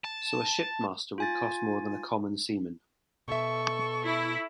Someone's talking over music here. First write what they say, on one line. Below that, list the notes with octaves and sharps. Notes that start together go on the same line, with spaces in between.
So a ship master would cost more than a common seaman.
A5
F4 G#5 A6
B2 A4 E5 C#6
E4